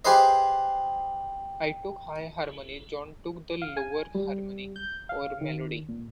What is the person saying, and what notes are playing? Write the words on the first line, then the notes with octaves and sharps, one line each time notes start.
I took the high harmony, John took the lower harmony or melody.
G4 G#4 B4 C5 D#5
F5
G#5
G3
G6
F5
D#3
A#2